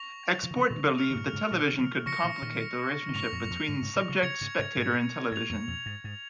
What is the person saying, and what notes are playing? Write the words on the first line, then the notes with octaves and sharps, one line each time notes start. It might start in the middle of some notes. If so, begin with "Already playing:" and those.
Export believed the television could complicate the relationship between subject, spectator, and television.
Already playing: C#6 A#6 F7
C#3 F3
D#3
C#3 F3
A#2 D#3
G#3
C#3 F3
F6 C#7 F7
D#3
G#2 C#3
A#2
G#2 C#3
A#2 D#3
D#3
C#3 F3
C#3 F3 C#6 A#6 C#7
A#2 D#3
A#2 D#3
D#3
G#2 C#3 C#6 A#6 F7
F2 A#2
G#2
F2
G#2
G#2 C#3
A#2 D#3
C#3 F3
C#3 F3 G#6 C#7 F7
G#2 C#3
G#2 C#3
G#2
G#2 G#6 F7
F2
F2
G#2
G#2